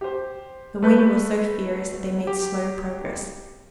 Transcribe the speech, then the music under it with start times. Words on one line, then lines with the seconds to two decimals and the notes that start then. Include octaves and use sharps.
The wind was so fierce that they made slow progress.
0.01 G4 C5
0.82 A3 B4 G6
2.27 G4